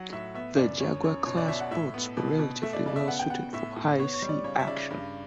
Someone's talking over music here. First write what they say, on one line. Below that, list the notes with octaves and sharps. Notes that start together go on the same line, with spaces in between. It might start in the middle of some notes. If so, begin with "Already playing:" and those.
The "Jaguar"-class boats were relatively well suited for high sea action.
Already playing: F#3 F#5
A2 E5
B3 E5
F#2 D5
F#2 C#5
F#2 C#5
B2 C#5
D5
B2 E5
F#5
A2 E5
B3
B2
B2
A3 E5
D5
C#3 D5
E5
B3 F#5
G5
B3 F#5
A2 E5
A2
B3 C#5
C#5
G3
D5
C#3 C#5
E5
C#3 D5
G2